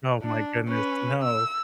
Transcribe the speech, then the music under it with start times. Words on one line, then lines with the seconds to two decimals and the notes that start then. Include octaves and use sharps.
Oh my goodness. No.
0.23 D4
0.67 C#4 B4
1.22 E6